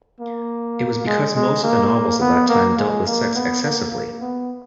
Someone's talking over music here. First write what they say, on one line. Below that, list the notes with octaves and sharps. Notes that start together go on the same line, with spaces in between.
It was because most of the novels of that time dealt with sex excessively!
A#3
G#3
G#3
A#3
B3
A#3
G#3
A#3
B3
A#3
A#3
B3